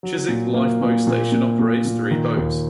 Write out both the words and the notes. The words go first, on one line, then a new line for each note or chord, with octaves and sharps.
Chiswick Lifeboat Station operates three boats.
F#3
A#2
A#3
A#2
A#2
A#2
A#2
A#2
D#3
D#2